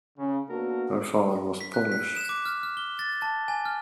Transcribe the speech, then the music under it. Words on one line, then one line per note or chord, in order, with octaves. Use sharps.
Her father was Polish.
C#3
A#3 B3 D4 F#4 A4 A#4
B6
F#6
B6
E7
D6
F6
F6
G7
A6
A5
G#5
F6